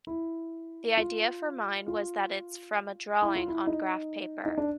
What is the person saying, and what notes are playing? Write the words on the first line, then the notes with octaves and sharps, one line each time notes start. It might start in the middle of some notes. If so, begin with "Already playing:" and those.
The idea for mine was that it's from a drawing on graph paper.
E4
F4
F4
E4
F4
E4
D#4
D#4
D4